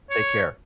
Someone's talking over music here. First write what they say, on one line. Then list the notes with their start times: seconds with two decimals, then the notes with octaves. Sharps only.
Take care.
0.10 C#5